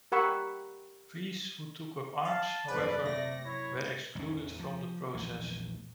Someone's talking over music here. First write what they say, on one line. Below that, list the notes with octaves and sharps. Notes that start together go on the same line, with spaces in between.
Priests who took up arms, however, were excluded from the process.
G4 A#4 F#5 B5 C#6 E6
F5 A5
F#1 E2 C3 F3 B4 D5
C3 A3 A#6
F#2 E4 C#5
A1 E2 C#4
F3
A#1 E2 A3